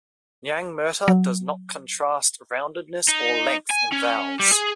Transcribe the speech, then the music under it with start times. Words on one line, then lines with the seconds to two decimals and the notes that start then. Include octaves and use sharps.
Nyangmurta does not contrast roundedness or length in vowels.
1.08 F#3
3.08 D#4
3.70 G#5
3.92 C#4
4.40 G3
4.53 G#4